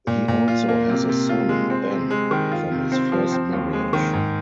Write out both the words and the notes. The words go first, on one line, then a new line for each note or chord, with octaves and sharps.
He also has a son, Ben, from his first marriage.
A#2
A#2
F4
A#3
C3
C3
F4
G#3
C4
C3
G#3
D#3
F4
C3
C4
F3
C4
D#2
G#3
D#3
G#2